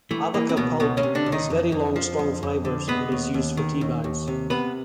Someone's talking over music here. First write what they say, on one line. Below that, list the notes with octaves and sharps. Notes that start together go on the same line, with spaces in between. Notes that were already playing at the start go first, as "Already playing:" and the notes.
Abaca pulp has very long, strong fibers, and is used for teabags.
E3 A3
E3 A#3
C4
C#2 B2 B3
C#2 B2 B3
C#3 C#4
C3
D3 D4
C#2
D#3 D#4
F2
F2
F3
F2
F2
D3
G#3 B3 B4
D#2
D#2
D#3
D#2
D#2
C3
C3 B3 B4